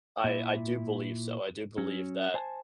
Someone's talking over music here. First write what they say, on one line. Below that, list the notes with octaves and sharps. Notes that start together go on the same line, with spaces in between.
I I do believe so. I do believe that,
A#2 E4
F#3 C#4
C5 G#5 A5